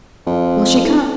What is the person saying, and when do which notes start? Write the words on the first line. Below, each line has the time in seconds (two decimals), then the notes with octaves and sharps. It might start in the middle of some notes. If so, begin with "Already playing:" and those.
Will she come?
0.26 F2
0.84 A2